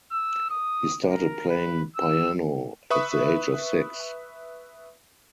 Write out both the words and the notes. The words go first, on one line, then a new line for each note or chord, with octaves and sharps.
He started playing piano at the age of six.
E6
D#6
A#4
B4
E6
B4 E5 B5 C#6 D#6